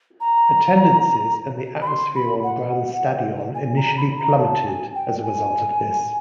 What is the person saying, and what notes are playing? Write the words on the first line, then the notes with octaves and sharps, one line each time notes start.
Attendances and the atmosphere on Brann Stadion initially plummeted as a result of this.
A#5
B5
C6
B5
F#5
G#5
A#5
B5
A#5
A5
G#5
G5
G#5